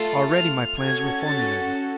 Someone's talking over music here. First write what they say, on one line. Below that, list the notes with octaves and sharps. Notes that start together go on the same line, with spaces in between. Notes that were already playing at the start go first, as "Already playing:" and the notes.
Already my plans were formulated.
Already playing: A3 F4 A4
F6
C#4 F#4 A4 G#6
A6